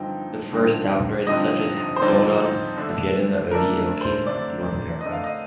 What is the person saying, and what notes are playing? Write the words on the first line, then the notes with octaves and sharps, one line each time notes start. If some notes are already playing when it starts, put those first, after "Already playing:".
The first tapirids, such as "Heptodon", appeared in the early Eocene of North America.
Already playing: G2 D3 F3 C4 D#4 G5
G2 D3 F3 C4 D#4
G2 D3 F3 C4 D#4 D#5
C5
G2 D3 F3 C4 D#4 D5
D3 A3 D4
D3 A3 D4 A#4
C5
D3 A3 D4 D5
D3 A3 D4 D#5
F5
D#5